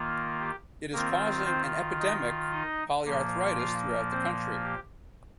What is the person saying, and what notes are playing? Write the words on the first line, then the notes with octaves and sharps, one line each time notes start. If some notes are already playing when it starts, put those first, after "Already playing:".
It is causing an epidemic polyarthritis throughout the country.
Already playing: D#3 A#3 F4
G4
D#3 A#3 C4 F4 A#4
C4 C5
D#4 D#5
D#4 D#5
A#2 F3 A#3
F4 F5
C4 C5
G4